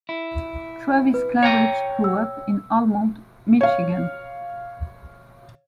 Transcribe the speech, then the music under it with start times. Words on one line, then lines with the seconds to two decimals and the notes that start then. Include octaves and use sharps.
Travis Claridge grew up in Almont, Michigan.
0.09 E4
1.14 B4
1.43 C#5 G5 A#5 C#7 D#7
2.04 E6
3.61 C#5 F5